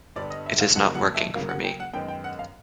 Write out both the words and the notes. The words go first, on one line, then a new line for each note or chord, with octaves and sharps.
It is not working for me.
G2 D3 G3 B3 D5
D#5
E5
F5
F2 C#3 F#3 A#3 F#5
F#5
E5
C#3 F#3 A#3 F5
F#5
G5
F#5
F#2 D#3 G#3 B3 G5
G5
F#5
F5